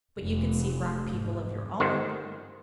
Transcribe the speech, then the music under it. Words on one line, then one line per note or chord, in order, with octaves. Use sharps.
But you could see rock people of your own.
F1
G#2
G1 D#3 C5